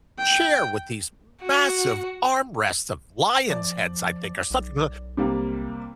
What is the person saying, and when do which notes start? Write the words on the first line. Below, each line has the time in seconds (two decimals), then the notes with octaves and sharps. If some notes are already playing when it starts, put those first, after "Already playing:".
chair with these massive armrests of lions' heads, I think, or something l
0.19 G5
1.42 F#4
3.50 F3 D5
4.51 B1
5.17 C3 G3 A#3